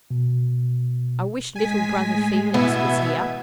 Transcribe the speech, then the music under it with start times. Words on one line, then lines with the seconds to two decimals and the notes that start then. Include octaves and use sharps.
I wish little brother Felix was here!'
0.11 B2
1.55 A2 G#3 G#5 B6
2.54 B2 E3 B3 E5 G#6